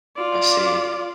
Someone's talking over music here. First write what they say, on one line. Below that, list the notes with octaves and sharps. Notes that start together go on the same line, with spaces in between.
I see.
F4 D5